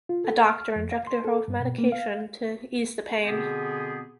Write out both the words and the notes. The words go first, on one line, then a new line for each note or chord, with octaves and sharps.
A doctor injected her with medication to ease the pain.
F4
A4
F6
F2
F5
C6
A4
G2
B2
A#3
F5
B2 D3 B3 C4 G4 G#4